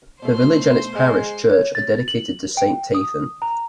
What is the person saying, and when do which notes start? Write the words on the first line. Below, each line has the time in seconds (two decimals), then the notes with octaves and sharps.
The village and its parish church are dedicated to Saint Tathan.
0.22 B2 A3 C5 C6
0.96 G#3
1.51 C#5
1.75 A6
2.08 F#7
2.57 G5
2.94 D#6
3.42 A#5